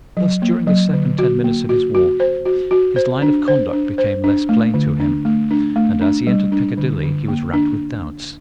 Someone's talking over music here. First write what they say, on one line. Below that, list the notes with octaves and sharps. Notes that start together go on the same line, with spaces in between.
Thus during the second ten minutes of his walk, his line of conduct became less plain to him, and as he entered Piccadilly he was racked with doubts.
F#3
A#3
F#3
D3
F#4
A#3
F#4
F#4
C5
F#4
F#4
C5
D4
C5
D4
C5
D4
A3
D3
D4
A3
D4
A3
D4
G3
D4
D3
D3
A#3
D4